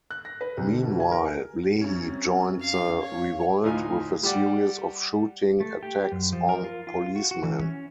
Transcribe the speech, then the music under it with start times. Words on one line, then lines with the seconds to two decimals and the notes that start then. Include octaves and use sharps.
Meanwhile, Lehi joined the revolt with a series of shooting attacks on policemen.
0.11 F#6
0.25 A#6
0.41 B4
0.57 C2
0.69 D3
0.83 B2
1.00 G#5
1.12 A#4
1.81 F#2 C4 C#4
2.61 F5
3.00 C#5 F5
3.64 D2 A2 D#4 F4 G#5
4.23 G3 G4 D5 F#5
5.60 A3
5.83 G4
6.12 F#2
6.32 F3
6.49 A#4
6.64 F4
6.87 F4
7.16 F#4
7.31 F#4
7.43 E3
7.60 C#4